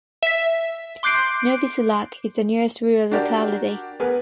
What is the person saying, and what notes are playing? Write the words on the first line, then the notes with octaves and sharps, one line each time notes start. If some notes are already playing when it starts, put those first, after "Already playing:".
Novy Sulak is the nearest rural locality.
E5 B6
C6 D6 F#6 G6 C7 D7
D4 F#4 G4 A#4 D5
B3 G#4 A#4 B4